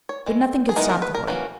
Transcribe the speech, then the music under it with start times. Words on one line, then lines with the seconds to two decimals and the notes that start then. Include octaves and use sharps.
But nothing could stop the boy.
0.09 C#5
0.26 E3 G#3
0.69 G#4
0.76 E3 G#3 B3 D#4 A#4
0.90 A#4
1.02 B4
1.15 A#4
1.27 E3 A#3 C#4 F#4